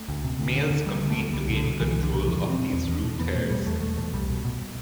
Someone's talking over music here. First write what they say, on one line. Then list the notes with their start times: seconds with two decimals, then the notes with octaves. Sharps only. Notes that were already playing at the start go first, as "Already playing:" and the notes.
Males compete to gain control of these root hairs.
Already playing: A3
0.08 D2
0.24 C3
0.39 D2
0.55 D3
0.71 D3
0.86 D2 G3
1.02 D2
1.10 A3
1.17 D3
1.33 C2 G3
1.49 B2
1.56 D3
1.64 B2
1.80 C2 E3
1.95 C2
2.03 D3
2.11 B2
2.27 E2 F3
2.42 B2
2.50 C4
2.58 B2
2.73 E2
2.88 E2
3.04 B2
3.19 E2 B3
3.35 B2 A3
3.51 B2 G3
3.66 E2 A3
3.82 E2 A3
3.98 B2 A3
4.13 C2 G3
4.29 B2
4.45 B2